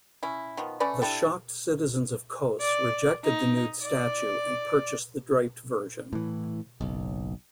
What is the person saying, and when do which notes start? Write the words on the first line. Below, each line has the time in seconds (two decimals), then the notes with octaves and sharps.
The shocked citizens of Kos rejected the nude statue and purchased the draped version.
0.23 C#4 E4
0.57 D#3 F3 B3
0.80 A3 C#4 B4 D5
1.02 D4 E4 G4 A4
2.60 D5
3.24 D#4
3.83 D5
6.13 A2 E3
6.81 F#1 B1